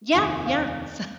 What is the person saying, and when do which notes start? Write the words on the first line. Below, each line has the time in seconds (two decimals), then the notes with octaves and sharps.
Yeah, yeah, so
0.15 F1 D#2 D#3 G#5
0.46 F5